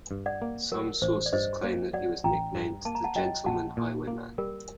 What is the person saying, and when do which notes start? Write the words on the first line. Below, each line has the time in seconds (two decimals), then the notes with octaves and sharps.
Some sources claim that he was nicknamed "The Gentleman Highwayman".
0.11 G2
0.26 D5 F#5
0.42 A#3
0.72 F#3 A#4
1.02 A1 C5
1.26 D5
1.33 G2 C5 D#5
1.64 A#3
1.93 F#3 D5 F#5
2.24 A1 G5 A#5
2.55 G2
2.85 A#3 A5
2.95 A#5
3.04 F#5 A5
3.15 F#3 D#5 G5
3.46 A#1 F#5 A5
3.77 A#2
4.07 A#3
4.38 G3 A#4